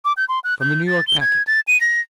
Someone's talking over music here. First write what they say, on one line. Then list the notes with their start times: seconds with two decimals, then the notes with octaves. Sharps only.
From the New York Packet.
0.05 D6
0.17 G6
0.29 C6
0.44 F#6
0.61 G6
0.87 A6
1.07 G7
1.20 G#6
1.47 A6
1.68 D#7
1.81 A#6